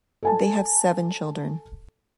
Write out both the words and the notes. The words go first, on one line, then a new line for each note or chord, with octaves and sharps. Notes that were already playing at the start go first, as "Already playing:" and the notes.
They have seven children.
A4 G#5 A5